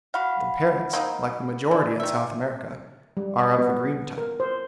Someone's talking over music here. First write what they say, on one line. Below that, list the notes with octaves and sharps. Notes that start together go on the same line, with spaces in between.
The parrots, like the majority in South America, are of the green type.
F#4 F5 F#5 B5
A#3 C4 D#4
E4 D5
D#3 E5
G3
B3
A#4
C5